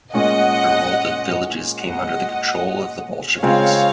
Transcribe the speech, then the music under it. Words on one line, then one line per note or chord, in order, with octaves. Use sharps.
The revolted villages came under the control of the Bolsheviks.
A#2 G#3 C#4 D#5 F#5
D#5 F#5
C#3 G#3 C4 F4 C#5 F5